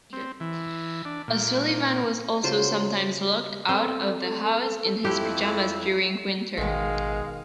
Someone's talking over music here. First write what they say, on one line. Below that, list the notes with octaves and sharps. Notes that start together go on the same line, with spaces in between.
O'Sullivan was also sometimes locked out of the house in his pajamas during winter.
C4
E3
D4
A#2
C#3 F#3 F4 C5
C4 A4
F2 E4 G4
A1 B2 D#3 G#3 F5